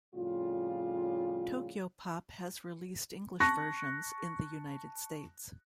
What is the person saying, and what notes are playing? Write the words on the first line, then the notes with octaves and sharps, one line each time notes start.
Tokyopop has released English versions in the United States.
F2 A2 C#3 G3 F4
A5 C#6 F#6 A#6